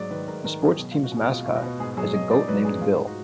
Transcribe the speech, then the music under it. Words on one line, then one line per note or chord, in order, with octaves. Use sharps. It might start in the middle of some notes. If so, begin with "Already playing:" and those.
The sports teams' mascot is a goat named Bill.
Already playing: G#2 F#3 D5
D#3 B4
G#2 A#4
D#3 A#4
F#3 G#4
B2
F4
B2
F#4
B2
G#4
B2 F4
B2 F4
F#4
B2
G#2 G#4
F#3 G#4
F#3 D#5
D#4 D5
F#3 B4
G#2 G#4
G#3 F4
D#4
F#4